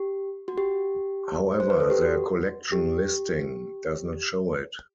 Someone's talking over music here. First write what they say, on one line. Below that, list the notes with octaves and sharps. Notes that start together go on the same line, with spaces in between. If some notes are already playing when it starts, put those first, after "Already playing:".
However their collection listing does not show it.
Already playing: G4
F#4
G4
C5
B4
A4
G4
F#4
G4